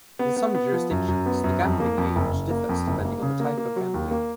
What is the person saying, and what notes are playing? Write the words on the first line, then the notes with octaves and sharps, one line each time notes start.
In some jurisdictions, the gambling age differs depending on the type of gambling.
B3
B3
B3
F3
F#2
F#2
B3
F#2
F2
A#3
F2
F#1
F#1
A#3
F2
F#1
A#3
C#3
A#3
A#3
F#3
D#2
A#3